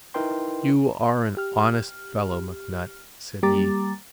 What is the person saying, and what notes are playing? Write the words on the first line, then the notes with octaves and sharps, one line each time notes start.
"You are an honest fellow, McNutt," said he.
D#4 E4 A#4 B4 G5 C6
G4 F6
G3 A#3 G4 A#5 D6 A6